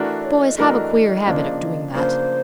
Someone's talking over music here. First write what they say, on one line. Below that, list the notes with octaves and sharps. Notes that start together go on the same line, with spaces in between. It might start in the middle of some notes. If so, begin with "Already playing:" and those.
Boys have a queer habit of doing that.
Already playing: E3 A3 D4 F#4 A#4
D5
C#5
D5
D#5
E3 A3 D4 F#4 A#4 D#5
C#3 F3 A#3 D4
C#3 F3 A#3 D4 C5